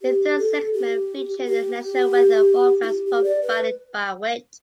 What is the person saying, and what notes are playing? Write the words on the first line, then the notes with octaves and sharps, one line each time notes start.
The third segment featured a national weather forecast provided by Witte.
G4
A4
G4
G4
E4
G4
G4
D5
B4